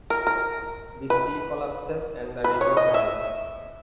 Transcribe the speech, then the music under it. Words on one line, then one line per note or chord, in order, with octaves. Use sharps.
The sea collapses and the river boils.
A#4
A#4
B4
B4
C#5
D#5
E5